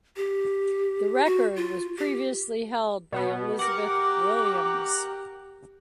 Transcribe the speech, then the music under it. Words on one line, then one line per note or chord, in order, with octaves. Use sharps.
The record was previously held by Elizabeth Williams.
G4
F#4
F4
G4
B2 B3
G4 A#4 F#5 D6